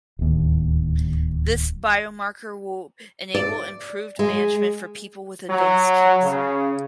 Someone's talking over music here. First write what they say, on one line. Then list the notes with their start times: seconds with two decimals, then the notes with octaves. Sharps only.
This biomarker will enable improved management for people with advanced cancer.
0.19 D1 D#2
3.35 D5
4.19 G#3
5.49 F#3
6.23 C#3